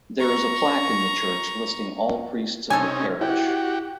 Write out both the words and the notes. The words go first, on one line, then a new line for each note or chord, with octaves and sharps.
There is a plaque in the church listing all priests of the parish.
A#5 C#6
C3 C#4 D#4 A4 G#5
E4 F#4 G4 G5